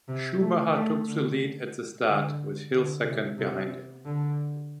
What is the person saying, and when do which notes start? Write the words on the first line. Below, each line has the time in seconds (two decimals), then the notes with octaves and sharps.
Schumacher took the lead at the start, with Hill second behind him.
0.08 C3
0.41 A3
0.74 A3
1.08 D3
2.07 D3
2.72 D3
3.05 C3
3.38 C3
4.05 D3